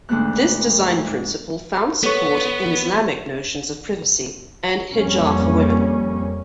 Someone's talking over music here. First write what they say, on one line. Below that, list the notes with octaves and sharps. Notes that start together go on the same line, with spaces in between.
This design principle found support in Islamic notions of privacy, and hijab for women.
D2 G#2 A#3 B3 F#6
G#2
B3 A4 C#5 C#6
F2 G3 A#3 C#4